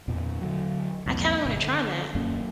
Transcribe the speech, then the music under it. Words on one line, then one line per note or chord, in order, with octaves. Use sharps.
I kinda wanna try that.
E2 A#2
D3 F#3
C2 F2 A#2
G1 B2
D3
D#1 F#2 A#3 C#4